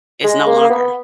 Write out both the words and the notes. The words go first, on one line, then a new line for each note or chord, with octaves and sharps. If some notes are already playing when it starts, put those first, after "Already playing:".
is no longer.
G#3
A#3
A#3
B3